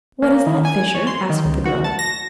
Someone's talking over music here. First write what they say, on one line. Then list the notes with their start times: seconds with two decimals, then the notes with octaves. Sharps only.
"What is that, Fisher!" asked the girl.
0.22 A#3
0.46 D#3
0.65 G#5
0.95 C#5
1.07 C6
1.30 D#3
1.45 C#2
1.65 F#4
1.84 A5
1.99 A#6